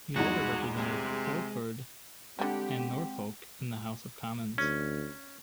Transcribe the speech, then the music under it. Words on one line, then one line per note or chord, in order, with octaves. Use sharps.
He later represented Orford and Norfolk in the House of Commons.
E2 G2 G#3 D#4 F#4
C3
D3 G3 G#3 C4 G4 F#5
D2 C#4